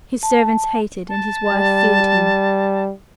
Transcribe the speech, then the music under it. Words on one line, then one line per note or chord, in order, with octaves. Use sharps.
His servants hated, and his wife feared him.
A5
A5
G3